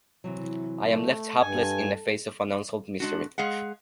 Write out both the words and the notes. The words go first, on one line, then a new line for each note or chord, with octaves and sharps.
I am left hapless in the face of an unsolved mystery.
C3 E3 F#3
A3
G2 A4 G#5
G#3 D4 F#4
G#3 G#4 F5 F#5